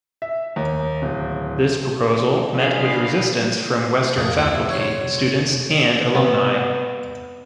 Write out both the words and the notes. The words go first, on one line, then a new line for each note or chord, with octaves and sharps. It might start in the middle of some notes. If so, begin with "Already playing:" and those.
This proposal met with resistance from Western faculty, students and alumnae.
E5
D#2
D1
D4 F4 F#4 G#4 F5 B5
F2 C3 A#3 G#4
D2 E4
C3
C#5 C6
B3